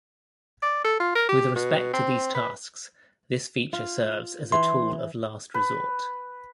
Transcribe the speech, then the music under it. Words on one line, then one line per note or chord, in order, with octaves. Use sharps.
With respect to these tasks, this feature serves as a tool of last resort.
D5
A4
F4
A#4
G4
B2
C4
B4
F4
E3 C6
B4